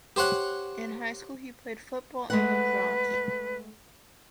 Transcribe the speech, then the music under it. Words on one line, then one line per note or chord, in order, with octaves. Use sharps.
In high school he played football and lacrosse.
G4 C5 C#5 F#5
G#3 A3 B4 F#5